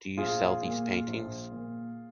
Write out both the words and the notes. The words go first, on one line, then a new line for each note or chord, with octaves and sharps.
Do you sell these paintings?
A#1 F4 G#4
A#2
A#1
A#2